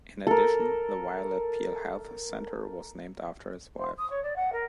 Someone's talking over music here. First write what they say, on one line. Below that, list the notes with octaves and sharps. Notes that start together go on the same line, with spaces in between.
In addition, the Violet Peel Health Centre was named after his wife.
A4 A#4
C5
D#6
C#5
D5
F#5
A#4